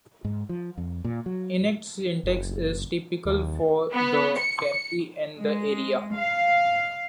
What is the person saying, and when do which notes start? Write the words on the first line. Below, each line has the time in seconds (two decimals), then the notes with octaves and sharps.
Enets syntax is typical for the family and the area.
0.25 G#2
0.49 F3
0.78 F2
1.05 A#2
1.26 F#3
2.24 F#1
3.25 D#2
3.93 B3
4.38 C#7
5.37 G#3
6.14 F5